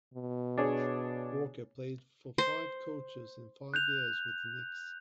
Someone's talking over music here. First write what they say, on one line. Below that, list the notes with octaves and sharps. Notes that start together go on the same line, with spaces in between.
Walker played for five coaches in five years with the Knicks.
B2
D4 G#4 C#5
C5
F#6 G6 F7